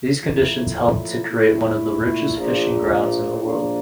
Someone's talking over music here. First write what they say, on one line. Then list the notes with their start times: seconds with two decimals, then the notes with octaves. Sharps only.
These conditions helped to create one of the richest fishing grounds in the world.
0.21 A2 F3 A#3 E4
1.27 A#2 A3 E4
2.35 A#1 A#2 F3
3.43 A#1 A#2 F3 A#3 D4